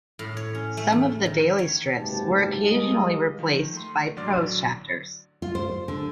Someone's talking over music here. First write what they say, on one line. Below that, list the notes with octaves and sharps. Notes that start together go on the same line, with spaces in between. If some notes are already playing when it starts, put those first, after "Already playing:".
Some of the daily strips were occasionally replaced by prose chapters.
A2
C#5
C#4
A3
E2
D#3
C#5
F#1 G#2 C3 G4 B4 A5
G3 G#3 A#3 D#5
D#3 F3
A3 C6
A1 D3 F#3 D5 C6 F6
F4
C5
D3